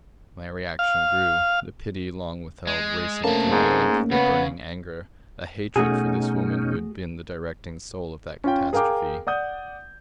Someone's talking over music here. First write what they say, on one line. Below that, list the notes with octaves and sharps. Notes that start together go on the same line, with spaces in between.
My reaction grew; the pity long withheld racing through me linked with a burning anger, a hatred for this woman who had been the directing soul of that catastrophe.
F5
G#3
C3 A3 A#3 C#4 A5
G#2
C#3 B3
B2 A3 C#4 D#4 F#4 G#4
C#4 F4 G5
G#4 A#4 F5 G5 D6
D5 F#5 D#6 G6